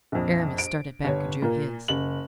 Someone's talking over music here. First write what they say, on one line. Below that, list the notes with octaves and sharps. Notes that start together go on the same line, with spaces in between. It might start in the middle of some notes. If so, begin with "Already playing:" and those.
Aramis started back and drew his.
A#1 F2
D7
G1 C#5
A#2 A#3
F#1 F#7